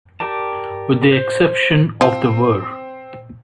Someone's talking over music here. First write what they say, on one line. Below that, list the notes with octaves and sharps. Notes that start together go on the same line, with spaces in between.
With the exception of the Ver.
G4 A#4 D5 A5
C5
F3 C4